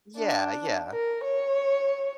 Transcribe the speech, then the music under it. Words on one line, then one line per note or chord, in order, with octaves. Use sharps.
Yeah, yeah.
D4
A#4
C#5